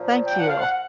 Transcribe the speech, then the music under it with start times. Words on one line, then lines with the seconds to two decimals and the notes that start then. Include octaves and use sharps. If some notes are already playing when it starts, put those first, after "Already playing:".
Thank you.
Already playing: A#2 F3
0.27 G5
0.38 F#5
0.48 F5
0.59 F#5